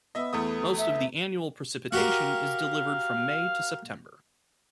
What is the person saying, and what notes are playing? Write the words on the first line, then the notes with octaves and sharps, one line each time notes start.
Most of the annual precipitation is delivered from May to September.
B3 D#5 E5
E2 A3 D#6
E5
F#4 G4 A#4 F5